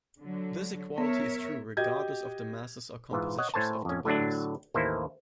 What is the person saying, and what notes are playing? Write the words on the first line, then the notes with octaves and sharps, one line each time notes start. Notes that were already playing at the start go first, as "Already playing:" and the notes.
This equality is true regardless of the masses or compositions of the bodies.
D3 F#3
B3 A#4 C#5 E5
F#4 G4 D#5 G6 G#6
G#2 E3 F4
C#5 D#5 F#5
A2 A3 C5 C#5 G#5 A5
F2 C#4
A2 D3 F#3 D4
A1 D#2 A#3 E4 A4 C5